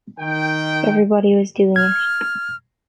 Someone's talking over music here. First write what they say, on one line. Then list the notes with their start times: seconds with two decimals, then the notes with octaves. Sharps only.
Everybody was doing it.
0.19 D#3 G5
1.76 F6 G#6